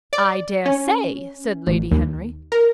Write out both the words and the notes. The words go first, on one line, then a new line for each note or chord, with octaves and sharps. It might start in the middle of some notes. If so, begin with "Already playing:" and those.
"I dare say," said Lady Henry.
D5
C#4
A1
D#2
A#4